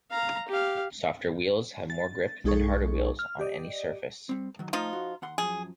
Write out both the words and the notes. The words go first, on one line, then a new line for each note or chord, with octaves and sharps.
Softer wheels have more grip than harder wheels on any surface.
F5 A#5
G4 F5
A6
B1 G#3 D#4 G#4 A4 C#6
F6
G4 D5 D#5
G3 C4
D#3 F#3
F3 A3 D#4 F4
F#4
D#2 F#5 C6
F#2 A#2 F3 G#4